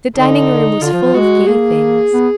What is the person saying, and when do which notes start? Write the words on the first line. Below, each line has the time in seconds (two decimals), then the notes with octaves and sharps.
The dining-room was full of gay things.
0.15 D3 D#4
0.81 D3 F4
0.93 F3
1.03 F3
1.14 G#3 F#4
1.47 A#3 G#4
2.13 B3